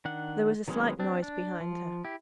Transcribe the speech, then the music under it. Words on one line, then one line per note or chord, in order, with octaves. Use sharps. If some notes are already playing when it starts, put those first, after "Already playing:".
There was a slight noise behind her.
D#3 D4 F#5
D#3 F#3 G#3 B3 C#4
C4 D4
D4
F3
E4 G4